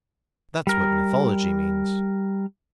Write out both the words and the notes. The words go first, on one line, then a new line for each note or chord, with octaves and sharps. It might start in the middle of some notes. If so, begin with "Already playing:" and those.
That's what mythology means.
G3 A#4